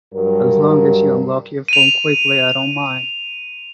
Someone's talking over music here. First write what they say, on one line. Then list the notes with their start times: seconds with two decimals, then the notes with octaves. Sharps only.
As long as you unlock your phone quickly I don’t mind.
0.14 G2 F#3 G3 A#4
1.68 D#7 F7